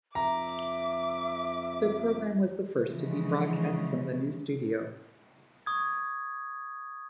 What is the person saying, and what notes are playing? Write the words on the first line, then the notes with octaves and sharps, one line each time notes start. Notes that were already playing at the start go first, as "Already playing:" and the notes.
The programme was the first to be broadcast from the new studio.
F2 E5 A#5 D6
C#3 E3 F3 G#3
C#6 D#6 G#6